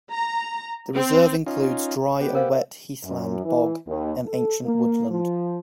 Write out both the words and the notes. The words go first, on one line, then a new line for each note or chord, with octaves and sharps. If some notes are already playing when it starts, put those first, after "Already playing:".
The reserve includes dry and wet heathland, bog and ancient woodland.
A#5
C4
C#4 D#4 F4
B3 G4
A#4 C5 F5
F#2
E3
D#2
A4
A#3
F3